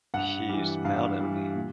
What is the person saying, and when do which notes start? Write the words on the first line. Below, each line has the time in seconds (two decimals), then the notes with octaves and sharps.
She smiled at me.
0.14 G2 F#5
0.49 E3 G3
0.85 G2 F5
1.20 E3 G3
1.55 A#2